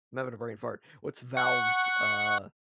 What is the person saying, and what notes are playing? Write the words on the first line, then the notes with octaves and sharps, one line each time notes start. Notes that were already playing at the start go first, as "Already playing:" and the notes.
I'm having a brain fart. What's Valve's, uh
F#5 C#6